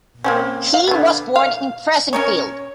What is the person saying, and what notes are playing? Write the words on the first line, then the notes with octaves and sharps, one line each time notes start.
He was born in Fressingfield.
A#3 C4 C#4
F5
D3 B3
F5
C#4 A#4 C#5